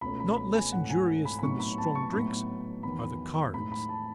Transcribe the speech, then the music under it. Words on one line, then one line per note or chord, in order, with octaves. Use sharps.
Not less injurious than the strong drinks are the cards.
C#2 B2 A3 C#4 B5
B5
B5
G#5
G#2 E3 A3 C#4 F#5
G#5
B5
B5
A2 F#3 B3 D#4 C#6
B5
A5
C#6
A2 F#3 B3 D#4 B5
E2 D#3 F#3 B5
A2 G#3 D#4 B5
B5
A5